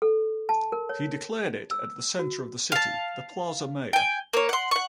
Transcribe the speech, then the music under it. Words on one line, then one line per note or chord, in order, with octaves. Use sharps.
He declared it at the center of the city, the Plaza Mayor.
A4
A5
A#4
C#5
E6
F#4
F5 A5
G5 G#5
A#3 C#5
F#5 C6
F#5 C#6